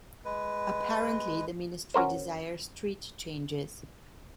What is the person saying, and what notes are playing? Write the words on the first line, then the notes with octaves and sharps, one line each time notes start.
Apparently, the ministry desires treaty changes.
G#3 B4
C#4 F#4 A#4 C5